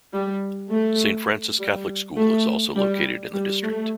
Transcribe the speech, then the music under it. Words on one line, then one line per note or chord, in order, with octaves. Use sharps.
Saint Francis Catholic School is also located in the district.
G3
A3
G3
A3
G3
G3
A3